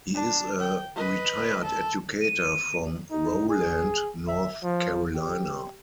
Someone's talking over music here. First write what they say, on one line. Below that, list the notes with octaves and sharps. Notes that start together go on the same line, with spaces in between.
He is a retired educator from Rowland, North Carolina.
D4
G5
B4 D#5
A4
D#7
D#4
G#4
E5
F3
G4